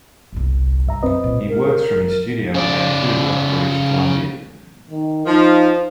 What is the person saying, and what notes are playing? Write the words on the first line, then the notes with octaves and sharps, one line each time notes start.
He works from his studio in Vancouver, British Columbia.
G1 C2
G2 E5 A#5
F#2 C4 B4 D#5
A#2 D3
A#4
C#3 D5
D#3
F3 D#4